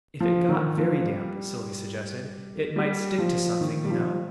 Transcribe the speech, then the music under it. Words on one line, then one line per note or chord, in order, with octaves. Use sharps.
"If it got very damp," Sylvie suggested, "it might stick to something, you know."
F3
D#3
F3
G3
G3
F3
D#3
G3
F3